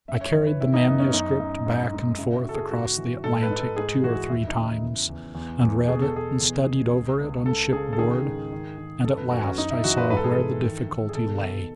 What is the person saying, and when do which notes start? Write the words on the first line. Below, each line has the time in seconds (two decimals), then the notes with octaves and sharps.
I carried the manuscript back and forth across the Atlantic two or three times, and read it and studied over it on shipboard; and at last I saw where the difficulty lay.
0.08 F#2 E5
0.21 C#5
0.34 E3 C#5
0.47 B4
0.60 D#3 E4
0.74 D#4
0.87 F#2 B3
0.99 C#4
1.13 F#2 D#4
1.40 F#2
1.67 G#2
1.93 G#2
2.18 C#3 E4
2.37 F#4
2.45 C#3 A4
2.54 G#4
2.71 G#2 F#4
2.98 E3
3.24 G#2 A4
3.42 B4
3.51 G#2
3.60 A4
3.76 G#2 G#4
4.03 E3 F#4
4.29 D#2 E4
4.48 D#4
4.56 C#3
4.65 E4
4.83 E2
5.09 E2
5.35 E2
5.61 E2
5.88 B2 G#4
6.02 A4
6.14 B2 G#4
6.41 E2
6.67 C#3
6.93 C#2
7.21 C#2
7.46 C#2 A4
7.73 C#3 G#4
7.93 A4
7.99 D#3 G#4
8.25 G#2
8.52 D#3
8.78 D#3
9.04 F#2 A4
9.18 B4
9.31 F#2 F#4
9.44 C#4
9.58 F#2 D#4
9.71 E4
9.84 E3 F#4
9.97 B4
10.10 G#2 B4
10.17 A4
10.24 G#4
10.32 A4
10.37 E3
10.63 D#3
10.89 D#3
11.09 G#4
11.15 B2 A4
11.41 B2